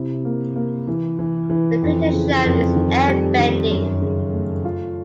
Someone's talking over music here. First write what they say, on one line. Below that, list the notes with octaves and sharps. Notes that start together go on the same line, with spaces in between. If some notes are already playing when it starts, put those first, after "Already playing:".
The picture shown is air bending.
Already playing: C3 E4
A#3
A#3
E3
E3
E3
F2
C#3
F2
D#3
G3
D#3
F#2
C#3
A3
F4